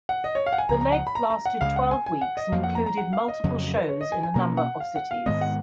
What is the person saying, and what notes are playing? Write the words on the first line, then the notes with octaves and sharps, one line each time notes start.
The leg lasted twelve weeks and included multiple shows in a number of cities.
F#5
D#5
C#5
F5
F#5
G#5
C#2 C#3 F3 A#5
A#5
F#5
B5
A#5
A#5
F#5
C#2 C#3 G#3 F5
F#5
G#5
G#5
F#5
D#5
F2 F3 A#3 F5
F#5
A#5
A#5
F#5
F5
D#5
F2 C#3 F#3
B4
C#5
D#5
G#5
G#5
B2 A#3 C#4 A#5
F#5
F5
F#5
F5
G#2 D#3 G#3 B3 D#5
F#5